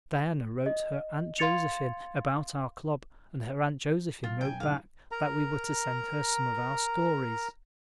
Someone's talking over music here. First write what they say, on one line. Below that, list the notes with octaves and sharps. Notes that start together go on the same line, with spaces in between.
Diana wrote her Aunt Josephine about our club and her Aunt Josephine wrote back that we were to send her some of our stories.
D#5
F5 C6 G#6 A6 C#7 F7
B1 F4
F#2 G5 G#5
D#1 G#2 F5
A#4 A#5